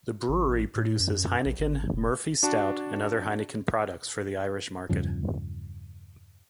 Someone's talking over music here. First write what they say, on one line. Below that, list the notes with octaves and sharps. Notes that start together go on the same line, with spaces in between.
The brewery produces Heineken, Murphy's stout and other Heineken products for the Irish market.
G#1
A1
A2
F#2
A#1
G#1
F1
D4 F#4 A5
E2 G2 C#3 F3